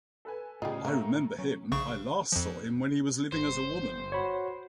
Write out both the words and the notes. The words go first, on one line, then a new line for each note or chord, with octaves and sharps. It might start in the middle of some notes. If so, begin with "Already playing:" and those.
I remember him. I last saw him when he was living as a woman.
A4 B4 G#5
A2 C#3 G3 D#4 F4 G#4
A2 A3 A#3 A#5
F#3 C#4
A#1 C#3 C#6
F2 F3
G1 C5
F#4 C#5 B5